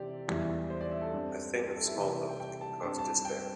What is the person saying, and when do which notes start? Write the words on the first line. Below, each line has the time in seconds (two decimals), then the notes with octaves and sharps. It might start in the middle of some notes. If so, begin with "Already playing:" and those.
A thing of small note can cause despair.
Already playing: C3 E3 C4 G4 D5
0.28 E2 E3 G3
0.70 C5
0.81 D5
0.91 E5
1.02 A4
1.12 G2 G3 C4
1.55 G4
1.66 G4
1.76 A4
1.87 E4
1.97 C3 E3 G3 C4 E4
2.08 G4
2.18 A4
2.29 G5
2.40 G5
2.61 A5
2.83 G2 G3 C4 A5
2.98 A5
3.25 G5